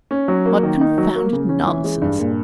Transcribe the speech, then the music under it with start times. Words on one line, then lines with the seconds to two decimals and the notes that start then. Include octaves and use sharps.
What confounded nonsense!
0.11 C#4
0.28 F#3
0.46 A#3
0.63 D#3
0.81 D#4
0.98 F#3
1.15 A#3
1.33 C#3
1.49 C#4
1.67 E3
1.84 G#3
2.02 G2
2.19 A#2